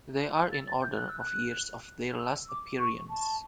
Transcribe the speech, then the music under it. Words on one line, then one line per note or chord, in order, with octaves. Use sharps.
They are in order of years of their last appearance.
E6
A6
A6
G6
F#6
E6
F#6
E6
D6
C#6
A5